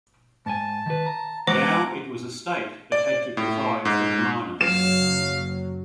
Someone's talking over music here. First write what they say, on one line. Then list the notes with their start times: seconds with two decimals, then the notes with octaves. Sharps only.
Now it was the state that had to provide for the minors.
0.46 G#2 G#5 A5
0.86 D#3 B4
1.06 A#5
1.47 E3 G#3 B3 C5 F#5 A#5 D6
2.92 D5
3.37 A2
3.85 G#2
4.61 F#1 F#3 F5 E7